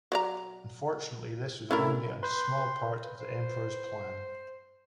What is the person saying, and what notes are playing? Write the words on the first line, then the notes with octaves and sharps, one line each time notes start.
Unfortunately, this was only a small part of the Emperor's plan.
F#3 D5 A#5
A2 C#4 D4 E4 A#4
B4 C6 G6
C5